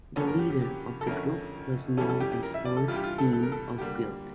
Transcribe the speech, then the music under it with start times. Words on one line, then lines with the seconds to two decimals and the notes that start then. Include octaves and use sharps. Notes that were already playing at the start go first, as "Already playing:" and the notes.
The leader of the group was known as Lord Dean of Guild.
0.16 G2 D3 F3 A#3 C#4 A4
0.27 A#4
0.39 G4
0.50 G4
0.62 G4
1.01 A4
1.07 F2 D3 A3 C#4 A#4
1.97 F2 E3 G3 C#4 A4
2.09 A4
2.20 G4
2.32 G4
2.43 A#4
2.54 E5
2.65 D5
2.77 A4
2.88 G2 E3 G3 F4
2.96 G4
3.03 F4
3.18 A4
3.33 A4
3.43 A#4
3.52 A4
3.78 D3 G3 A#3 G4